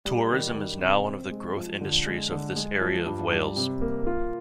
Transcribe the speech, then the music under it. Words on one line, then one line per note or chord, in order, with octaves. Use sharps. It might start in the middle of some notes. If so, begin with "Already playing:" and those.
Tourism is now one of the growth industries of this area of Wales.
G3
D#3
D#3
C3
C4
G#3
F3
D3
G#3
D3
G#3
F3
G2
G3
C3
A#3
F4